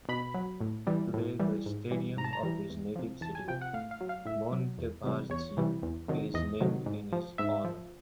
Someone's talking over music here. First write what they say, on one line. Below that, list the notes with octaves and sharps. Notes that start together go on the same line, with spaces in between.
Today the stadium of his native city, Montevarchi, is named in his honour.
B2 B5
F#3
A2
E3 G3
A2
E3 G3
G#2
E3 G3
G#2 A#5
A5
A#5
E3 G3
E2
C3 F3
E2 A5
G#5
C3 F3 G5
F#5
A2 F5
F5
F#3
F5
A2 E5
F#3
E2
C3 E3 G3
E2 C#5
C3 E3 G3
E2
C3 D#3 F#3
E2 D#5
C3 D#3 F#3
G#2
F3
G#2 E5
F3